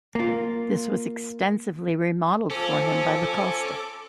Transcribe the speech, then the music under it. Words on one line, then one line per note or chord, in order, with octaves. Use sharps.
This was extensively re-modelled for him by Lacoste.
A#3 F4
F3 C#4 A4 C5 D6